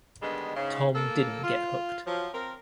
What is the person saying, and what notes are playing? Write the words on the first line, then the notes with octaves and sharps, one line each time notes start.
Tom didn't get hooked.
D3 D#3 G3 G#3 B3
G#2 C#3
A#3 A4
F4
F3 F#3
C4 A#4